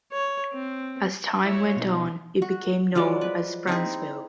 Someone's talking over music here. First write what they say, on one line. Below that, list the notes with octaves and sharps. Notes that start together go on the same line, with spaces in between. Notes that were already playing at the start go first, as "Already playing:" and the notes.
As time went on, it became known as Franceville.
C#5
C4
E4 F#4 C#5
B2 D#4 F4
F#4
F3 F#3 G#3 D5
B4
C4 D#4 E4 G#4